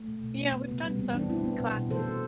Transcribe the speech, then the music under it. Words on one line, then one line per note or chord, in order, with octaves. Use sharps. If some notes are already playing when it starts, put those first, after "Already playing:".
Yeah, we've done some classes
Already playing: A3
B2
B2
B3
B3
C3 B3
G3
B3 C4
E3 B3 D4
E3 C4 E4
B3
B2
B2
E3 A4 C5
E3